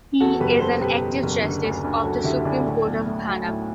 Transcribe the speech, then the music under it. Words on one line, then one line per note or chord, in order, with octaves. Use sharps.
He is an active Justice of the Supreme Court of Ghana.
E2 F#4 A4
F#1 G4 B4
F#1 A4 C5
B2 G4 B4
E2
F#1
D3
D2
D2
F#3 F#4 A4
D3 E4 G4
D2 D4 F#4
A2
B1
A3
F#3
A2